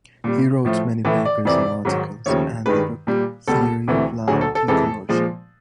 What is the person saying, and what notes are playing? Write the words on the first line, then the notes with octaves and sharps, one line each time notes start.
He wrote many papers and articles, and the book "Theory of Land Locomotion".
A#2 G3
A2 F3 A3
A2 E3 A3 B4
D5
F2 C3 E3 D5
G#2 D#3 F#3
D#2 C#3 F3 A3 C#5
G2 D#3 G#3 B4
A#2 G3
C#2 B2 G3 A4
D2 C3 E3 A3
D2 D3 F#3 G#4
A4
A4
F2 C3 E3 G#3 A4
A#2 F3 G#3